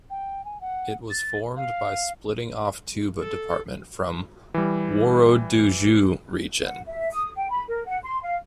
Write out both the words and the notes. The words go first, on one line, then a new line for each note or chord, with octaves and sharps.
It was formed by splitting-off Touba Department from Worodougou Region.
G5
G#5
F#5
A6
F5
A4
E3 G3
F#5
E5
D#6
G5
B5
A#4
F#5
C6
F5